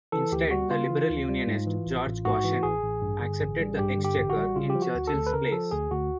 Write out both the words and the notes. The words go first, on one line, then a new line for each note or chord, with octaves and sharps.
Instead the Liberal Unionist George Goschen accepted the Exchequer in Churchill's place.
E3 A4
D2 G4
G3 F#4
C#3 F4
E3
D2
G3
G#2
E3
A1
A1
G#2 F#4
E3
A1 G#4
A1
G2
D3
A1
G3
G2 G4
D3
G4
A1
F#4
G3
C#3 F4
G4
F3
F#4
D2
A4
D2
B4
C#3 A#4
F3 A4
D2 G#4
D2 F#4